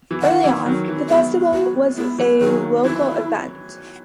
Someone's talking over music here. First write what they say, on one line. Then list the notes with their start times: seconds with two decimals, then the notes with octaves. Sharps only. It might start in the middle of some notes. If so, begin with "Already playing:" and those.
Early on, the festival was a local event.
0.11 E3
0.22 D#3 F#5
0.44 E3
0.66 D#3 F#3
0.88 E3
1.09 G#3 B3 E5
1.53 F#4
1.97 G#3 B3 E4
2.18 E3 G#3
2.41 D#3 F#3 G#4
2.63 D#3
2.85 E3 E4